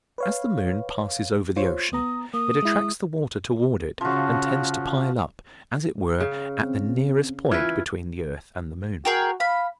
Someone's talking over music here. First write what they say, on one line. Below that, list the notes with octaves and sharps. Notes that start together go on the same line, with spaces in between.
As the moon passes over the ocean it attracts the water toward it and tends to pile up, as it were, at the nearest point between the earth and the moon.
B4 C#5 F5
F4 C5 C#5
B3 A#5 D#6
A#3 D#6
G#3 E4
C#3 F3 F#4
C#3
C4
E3 F4 B4 F6 G#6
F#4 G#4 A#4 G5
F5 B5